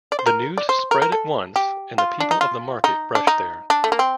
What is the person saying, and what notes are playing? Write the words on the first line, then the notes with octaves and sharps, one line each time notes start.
The news spread at once, and the people of the market rushed there.
D5
C5
A#4
D5
C5
A#4
A#4
A4
G4
F4
D4
D#4
F4
D#4
D4
D#4
D4
A3
A#3
C4